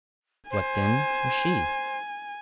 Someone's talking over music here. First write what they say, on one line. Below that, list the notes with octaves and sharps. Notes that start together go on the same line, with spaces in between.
What, then, was she?
C5 G#5